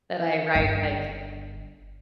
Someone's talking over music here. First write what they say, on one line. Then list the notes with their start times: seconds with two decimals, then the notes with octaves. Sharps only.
that I write, like,
0.55 G1 D4